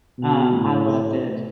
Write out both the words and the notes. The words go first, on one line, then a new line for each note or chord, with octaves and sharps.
Um, I loved it.
B2
A2